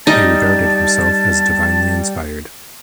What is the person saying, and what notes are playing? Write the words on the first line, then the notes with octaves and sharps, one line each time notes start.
He regarded himself as divinely inspired.
G3 D#4 A5